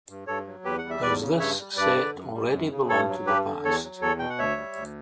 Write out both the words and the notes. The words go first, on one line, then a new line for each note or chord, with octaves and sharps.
Does this set already belong to the past?
G2
G2 A4 C#5
F#3
E2 G4 B4
F#5
G3
E5
E2 B4 D5
C#3
G2 C#5 E5
G3
G2 B4 D5
D3
F#2
G3
F#2
C#3
G2 A4 C#5
F#3
G2 G4 B4
D3
E2 A4 C#5
F#3
E2 A4 C#5
B2 G5
F#5
D2 C#5 E5
G3
D2